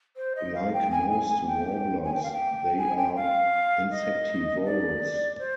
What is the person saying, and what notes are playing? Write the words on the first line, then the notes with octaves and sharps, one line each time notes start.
Like most warblers, they are insectivorous.
C5
D#5
F5
G5
G#5
G#5
G#5
G5
G#5
G5
F5
G5
G#5
G5
F5
D#5
D5
C5